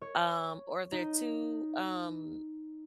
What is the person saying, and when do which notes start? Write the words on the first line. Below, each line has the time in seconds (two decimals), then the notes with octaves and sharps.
um, or they're too, um,
0.02 C#5
0.92 D#4